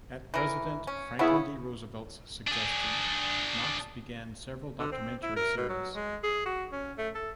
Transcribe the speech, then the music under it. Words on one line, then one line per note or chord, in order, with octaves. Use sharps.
At President Franklin D. Roosevelt's suggestion, Knox began several documentary series.
E3 A#4
C#4
C#3 B3 C#4 E4 G#4
D4 G#4
D3
C4
E4
A#4
B2
F#3
G#3
G#4
F#4
C#4
A3
A4